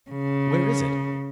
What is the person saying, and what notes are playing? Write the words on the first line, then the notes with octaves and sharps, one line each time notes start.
"Where is it?"
C#3